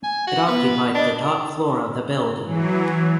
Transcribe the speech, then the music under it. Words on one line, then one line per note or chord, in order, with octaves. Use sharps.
It occupied the top floor of the building.
G#5
F#4
B3 B4
D4 D#5
E3 F#3